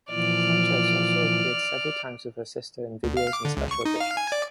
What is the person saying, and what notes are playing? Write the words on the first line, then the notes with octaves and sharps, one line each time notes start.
Sanches also appeared several times with her sister in videos and Special Editions.
A#2 E3 F3 D5 F6
D2
F5
D6
D3
C#2
C#6
D#4
F5
G#5
D5